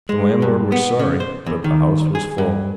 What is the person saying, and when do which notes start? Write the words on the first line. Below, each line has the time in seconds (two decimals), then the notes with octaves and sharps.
The landlord was sorry, but the house was full.
0.09 G#3
0.42 G2
0.72 B3
0.99 C#3
1.20 C5
1.46 E2
1.64 D#3
2.15 G#4
2.38 G2